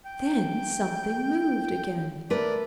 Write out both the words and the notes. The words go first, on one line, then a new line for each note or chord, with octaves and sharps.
Then something moved again.
G5
A3 A#4 B4 D5